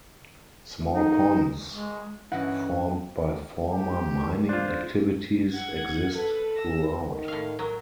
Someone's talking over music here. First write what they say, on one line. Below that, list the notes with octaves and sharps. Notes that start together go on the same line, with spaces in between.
Small ponds formed by former mining activities exist throughout.
D#4
G#3
G2 E3 C#4 E4 D#5 F#5
G4
D4 F4 C5
F#5 G#6
A4 B4
E6 A#6
D#3
A2 F5
F#3 A#4